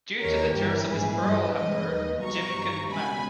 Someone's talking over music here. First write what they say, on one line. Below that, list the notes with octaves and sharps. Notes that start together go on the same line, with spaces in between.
Due to the terms of his parole, however, Jim couldn't marry.
D#2 D#3 G3 A#4 C#5
G1 G2 E3 G4 A#4
A#1 G#2 E3 G#4 B4
G2 E3 G3 B4 D#5
A#1 G#2 E3 B4 D#5
D#2 D#3 G3
B1 B2 G3 A#5 C#6
G1 G2 D#3 G3
C#2 B2 G#3 G#5 B5